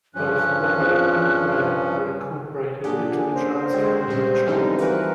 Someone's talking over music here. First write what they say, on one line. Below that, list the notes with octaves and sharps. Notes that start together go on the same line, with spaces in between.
Both road and trail are incorporated into the Trans-Canada Trail.
G2 F3 C#4 F#6
C4 F4 G#4
A#2 D3 G4 G#4 F#5
G2 C#4 A#4 C5
G#3 C4 F#4
A#2 G3 C#4
D3 E3 F3 G3 G#3 C4 D#4
E3 F3 D#4 F#4 A#4 B4 F#5